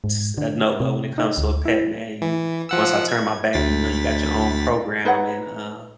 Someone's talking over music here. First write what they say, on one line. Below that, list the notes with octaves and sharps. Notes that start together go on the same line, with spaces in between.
ts a no go when it comes to a pet, man, you once I turn my back, you know, you got your own program and, uh,
G#2
D3
C3
D#4
D2
E4
E3
F3 F#5 E6
G#6
D2 A6 B6
D#4 B4 C#5 F#5